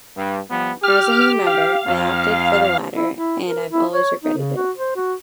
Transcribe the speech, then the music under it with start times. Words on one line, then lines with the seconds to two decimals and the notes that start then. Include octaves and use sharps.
As a new member, I opted for the latter and I've always regretted it.
0.16 G2
0.50 F3 G3 B3
0.83 G4 F6
1.47 F5
1.88 F2
2.95 E4
3.14 E4
3.45 A#4
3.71 E4
3.93 C#5
4.24 D#4
4.37 C#3
4.56 F#4
4.77 C5
4.96 F#4